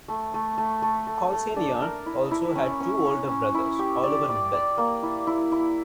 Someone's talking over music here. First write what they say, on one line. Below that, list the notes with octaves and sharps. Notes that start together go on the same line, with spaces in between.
Cal Senior also had two older brothers, Oliver and Bill.
A3
A3
A3
A3
A3
A3
D4
A#4
E4
E4
C#4
C#4
C#4
C#4
E4
G4
D5
D5
D5
A#3
E4
E4
E4